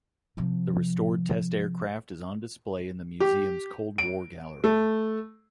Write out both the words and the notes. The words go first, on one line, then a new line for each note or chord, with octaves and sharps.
The restored test aircraft is on display in the museum's "Cold War Gallery".
C3 F3
G4
D7
A3